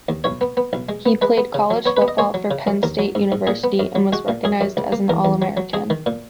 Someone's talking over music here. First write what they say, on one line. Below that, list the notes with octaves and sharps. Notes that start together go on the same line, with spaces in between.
He played college football for Penn State University, and was recognized as an All-American.
D#2
B1 C#5
B3
B3
B1
G#3
B3
G#3 B4
B3
C#3
F#3
B3 C#5
B4
B3
D#5
A#3 C#5
F#3
C#3
F#2
D#2 A#4
F#3
G#2
G#2
A#2 G#4
B3
F#2
F#3
G#3 F#4
A#2
F#2 G#4
F#2
C#2
A#3
E2 A#4
E2
F#3
F#3
G#3 G#4
D#3
A#2